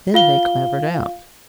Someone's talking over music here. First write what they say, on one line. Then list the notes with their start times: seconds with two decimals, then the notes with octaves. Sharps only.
Then they clambered out.
0.14 F4 F5 G7